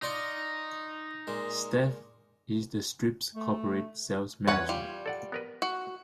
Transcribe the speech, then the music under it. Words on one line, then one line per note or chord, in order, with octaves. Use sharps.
Stef is the strip's Corporate Sales Manager.
D#4 F4 D5 C#6
A#2 G#3
A3
E2 C#4 B4 C#5 F#5
G3 F4
A4 D5 F#5
B3 A#4 B4
F#4